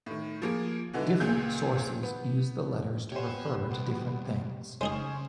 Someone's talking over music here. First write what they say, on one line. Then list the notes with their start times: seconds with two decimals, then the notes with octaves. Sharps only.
Different sources use the letters to refer to different things.
0.06 A2 D#3
0.42 F3 A#3 G#4
0.93 B2 D3 E3 D#4
1.20 C#2 A#2 G#4 G6
2.03 B3
3.12 B3 G4 C5 C#5 G#5
3.71 B2 G3
4.81 C#2 C#3 G#3 C#4 D#4 G#4 C5